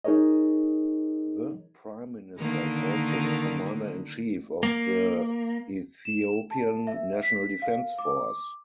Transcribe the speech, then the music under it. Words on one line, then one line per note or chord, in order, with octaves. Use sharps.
The prime minister is also the commander-in-chief of the Ethiopian National Defense Force.
D#4 G#4 A#4 C#5 D#5
D3 D#3 A#3
A#3
E7
A5
E5
B6
F5
D6